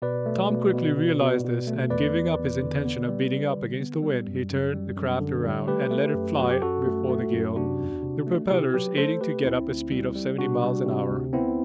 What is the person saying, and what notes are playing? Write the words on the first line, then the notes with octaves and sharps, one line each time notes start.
Tom quickly realized this, and, giving up his intention of beating up against the wind, he turned the craft around, and let it fly before the gale, the propellers aiding to get up a speed of seventy miles an hour.
B2 B4 D5
A3
B2
B2
B2
B2
B2
A3
E2 B4 D5
E2
E2
D3
B3
G3
G3
D3
B3
G3
F#2
F#2
G3
F#2
D3
G3
A3 G4 B4
A3
F#2
F#3 F#4
G4
F#2 F#4 A4
A3
A3
F#2
C3 D4 F#4
E2
C3
A3
C3 E4 G4
F#3 G4 B4
A3 A4 C5
A3 G4 B4
D2 C4 E4
D2
G3
G3
C3 D4 F#4
G3
C3
D2
B3 C4 E4